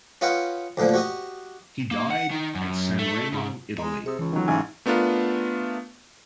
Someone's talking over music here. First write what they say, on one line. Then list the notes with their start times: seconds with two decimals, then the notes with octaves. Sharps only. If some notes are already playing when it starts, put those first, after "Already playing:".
He died at Sanremo, Italy.
0.21 C#4 F4 B4 D#5 F#5 G5
0.77 D2 A#2 D3 F3
0.94 F#4 G4 D#5
1.91 A#3
2.10 F#5
2.31 D#3
2.55 F#2
2.99 A3
3.33 G#2
3.78 G#3 D#5 A#5 C6
4.06 C3 G#4 D#6 E6
4.19 C#2 E3
4.33 D#3 F#3
4.48 A1 G#2 C#3 G#5
4.86 A3 B3 D4 F4 A#4